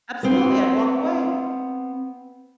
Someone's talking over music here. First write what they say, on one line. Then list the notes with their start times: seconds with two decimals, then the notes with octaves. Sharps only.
Absolutely, I'd walk away.
0.23 B3 C4